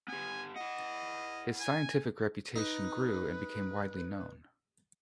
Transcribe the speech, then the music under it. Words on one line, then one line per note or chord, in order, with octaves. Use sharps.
His scientific reputation grew and became widely known.
B3 G4 G#5
E4 D#5 F#5
G#5
D#4 B4